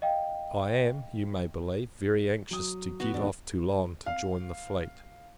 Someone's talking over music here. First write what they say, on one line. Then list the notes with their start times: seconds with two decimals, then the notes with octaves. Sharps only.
I am, you may believe, very anxious to get off Toulon, to join the fleet.
0.02 D#5 F5 G5
2.51 F#3 D#6
3.00 B3 F#4
3.14 D#1 B1 D4
4.06 F5